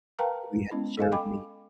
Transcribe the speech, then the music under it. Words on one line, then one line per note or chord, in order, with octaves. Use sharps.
that we had to share with me,
A#4 B4 F5 G5 A5 A#5
G#3 B3 C#4 E4
A4 D#5 F5 G#5
D#5 G5 G#5 B5 D6